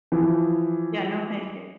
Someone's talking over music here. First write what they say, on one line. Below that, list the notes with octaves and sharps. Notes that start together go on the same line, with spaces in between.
Yeah, no, thank you.
E3 F3